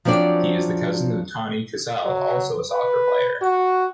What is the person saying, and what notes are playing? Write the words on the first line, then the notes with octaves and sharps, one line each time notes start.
He is the cousin of Tonnie Cusell, also a soccer player.
F3 F#3 C4 D4 D5
F#3
B4
F#4